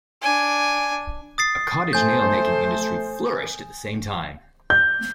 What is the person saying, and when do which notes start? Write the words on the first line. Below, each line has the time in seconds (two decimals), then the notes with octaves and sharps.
A cottage nail making industry flourished at the same time.
0.22 D4 G#5
1.38 D#6 A6 C7
1.93 A3 C5 G#5 G6
4.70 G6